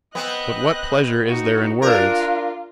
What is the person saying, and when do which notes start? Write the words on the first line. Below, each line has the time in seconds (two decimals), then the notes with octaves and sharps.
But what pleasure is there in words?
0.15 B3 C4 D#5 F#6
1.25 D#4 F#4
1.82 D4 F4 A#4